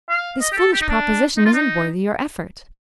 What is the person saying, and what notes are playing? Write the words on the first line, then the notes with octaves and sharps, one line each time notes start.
This foolish proposition isn't worthy your effort.
F5
D#5
G4
A4
G4
D#4
D4
D#4
F4
D#4